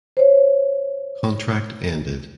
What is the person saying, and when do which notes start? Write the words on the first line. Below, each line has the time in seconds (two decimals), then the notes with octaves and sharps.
Contract ended.
0.17 C5 C#5